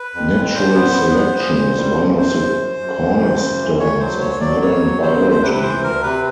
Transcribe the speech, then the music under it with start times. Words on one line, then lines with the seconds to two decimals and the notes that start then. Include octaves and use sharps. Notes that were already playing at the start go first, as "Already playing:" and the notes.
Natural selection is one of the cornerstones of modern biology.
Already playing: B4
0.14 F2
0.35 F2
0.55 A#2 C5
0.75 B3
0.96 B3
1.15 B3
1.37 A#2
1.57 A#2
1.77 G3
1.97 A#2
2.17 F#2 C5
2.38 F#2
2.58 F#2
2.79 F#2
2.99 F#2
3.19 C#3
3.40 F#2
3.60 E3
3.79 D2 C#5
4.00 F#3 C5
4.21 D2 C#5
4.41 F#3 D5
4.61 C#3 C#5
4.81 F#3
5.02 C#3 C5
5.22 D2
5.31 C5
5.42 C3 B4
5.54 B4
5.63 E3 C5
5.84 D2 A#4
6.03 C3 B4